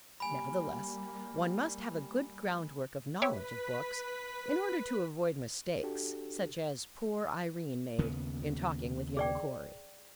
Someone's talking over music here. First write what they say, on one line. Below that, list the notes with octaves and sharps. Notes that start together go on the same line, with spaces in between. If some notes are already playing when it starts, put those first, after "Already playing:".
Nevertheless, one must have a good groundwork of knowledge of books in order to avoid mistakes such as poor Irene made in talking with young Corey.
G3 A#3 G#5 B5
G4 B4 C#5 E5 B6
D4 F#4 G4 A4
D#2 C#3 B3
G#4 D5 G5